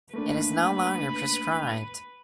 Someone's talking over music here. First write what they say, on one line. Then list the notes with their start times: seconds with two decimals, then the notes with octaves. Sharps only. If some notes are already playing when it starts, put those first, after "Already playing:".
It is no longer prescribed.
0.14 A3 A#3 D4 B4